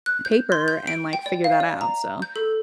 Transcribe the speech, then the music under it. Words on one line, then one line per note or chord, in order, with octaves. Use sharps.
paper and, like, figure that out." So
F#6
G6
C6
G6
D7
G5
D5
F5
D5
A#5
G6
A4